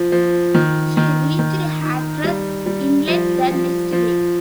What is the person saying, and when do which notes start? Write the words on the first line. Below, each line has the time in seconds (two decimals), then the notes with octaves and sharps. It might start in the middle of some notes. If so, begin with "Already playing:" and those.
She reached Hatteras Inlet the next day.
Already playing: F3
0.12 F3
0.54 D#3
0.97 D#3
1.39 D#3
1.81 D#4
2.24 G3
2.66 G3
3.08 F3
3.51 F3
3.92 F3